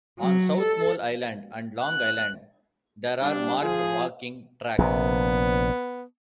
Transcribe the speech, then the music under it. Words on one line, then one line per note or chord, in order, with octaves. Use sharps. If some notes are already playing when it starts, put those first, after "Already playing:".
On South Molle Island and Long Island there are marked walking tracks.
F#3
A4
F#6
G3 D4
F3 F4 G#4
A#1 C3 B3